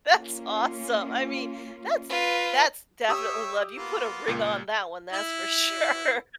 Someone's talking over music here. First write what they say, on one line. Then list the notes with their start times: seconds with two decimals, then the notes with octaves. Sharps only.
That's awesome. I mean that's that's definitely love, you put a ring on that one, that's for sure.
0.13 A#3 C#4 F4
2.10 F4 B4
3.09 G4 C#5 E5 D#6 E6
3.78 A#3 B3 F4
4.28 C#2 A#2
5.13 E4